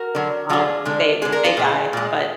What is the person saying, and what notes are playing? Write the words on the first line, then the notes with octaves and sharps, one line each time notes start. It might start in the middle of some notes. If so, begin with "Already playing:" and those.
um, they they die, but
Already playing: F#4 A#4
D3 F#3
D3 F#3 F4 G#4
D3 G#3
D3 G#3 G#4
A#4
F4 G#4
A#2 G#3
A#2 G#3